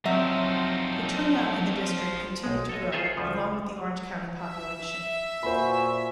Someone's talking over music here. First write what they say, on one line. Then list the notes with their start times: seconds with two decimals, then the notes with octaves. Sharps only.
The turnout in the district continued to grow along with the Orange County population.
0.06 F3 F#3 C4 D#4 E5
2.44 B1 G#3
2.69 A4 C#5 D#5
2.92 F4 G#4 A4 C5 C#5 E5
3.17 D2 C#3 F3
4.41 E5
5.43 A#2 F#4 C5 G#5 B5